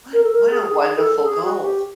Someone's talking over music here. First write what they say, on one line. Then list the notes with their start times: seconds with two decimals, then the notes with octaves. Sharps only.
What what a wonderful goal, a
0.13 A#4
0.23 A4
0.32 A#4
0.50 G#4
0.69 G#4
0.96 A4
1.15 A4
1.24 G#4
1.44 F#4
1.62 G4